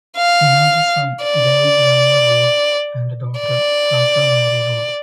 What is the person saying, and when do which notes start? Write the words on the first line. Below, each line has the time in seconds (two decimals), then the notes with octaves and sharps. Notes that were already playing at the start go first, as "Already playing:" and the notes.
He has a son, Davis Lamar Rhodes, and a daughter, Sasha Marie Rhodes.
0.17 F5
1.24 D5
3.40 D5